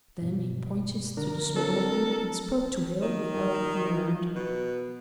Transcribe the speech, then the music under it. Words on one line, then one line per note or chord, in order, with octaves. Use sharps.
Then he pointed to the smaller one and spoke to Hale without looking around.
G2 B2
D3 D4 A#4
C4 D4 E4 A4
D#3
B2